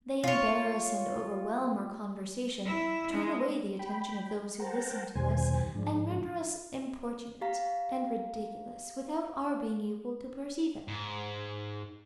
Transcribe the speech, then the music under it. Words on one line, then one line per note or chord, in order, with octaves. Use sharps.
They embarrass and overwhelm our conversation, turn away the attention of those who listen to us, and render us importunate, and ridiculous, without our being able to perceive it.
F4 C#5
E4
G#3
G5 B5
A#4 C5 F#5 G5 A5 A#5
E2 B2 D#3 G3 C5 G#5
G#2 F3 G#3 D4
G4 F5 A#5 B6
G#2